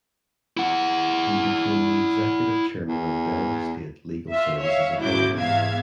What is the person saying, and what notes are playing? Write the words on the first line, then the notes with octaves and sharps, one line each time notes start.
He became the Executive Chairman of Delhi State Legal Services Authority.
E4 F#5
E2
F4 E5
C#5 E5 F5
G#2 C#3 F#3 E4 D6 G6
E2 G#2 C3 E5 F5 G#6